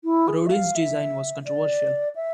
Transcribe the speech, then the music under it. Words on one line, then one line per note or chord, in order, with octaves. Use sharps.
Rodin's design was controversial.
E4
G#4
E5
F5
E5
D5
E5